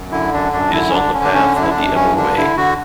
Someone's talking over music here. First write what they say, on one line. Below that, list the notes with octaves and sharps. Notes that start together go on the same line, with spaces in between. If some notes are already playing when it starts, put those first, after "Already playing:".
It is on the path of the Ebor Way.
Already playing: F#2
D3 E4
F#2 D4
F#2 D4
D3 E4
C#4
D3 D4
D3 C#4
D4
D3 C#4
F#2 D4
E4
D4
F#2
G2 C#4
D3 D4
D3 E4
D3 F#4